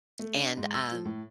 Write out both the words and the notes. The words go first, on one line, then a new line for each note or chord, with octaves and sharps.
and, um,
A3
D4
G#2
E6
F3
A2